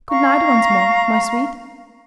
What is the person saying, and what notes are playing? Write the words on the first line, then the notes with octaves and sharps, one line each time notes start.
Good-night once more, my sweet.'
F5 A#5 C#6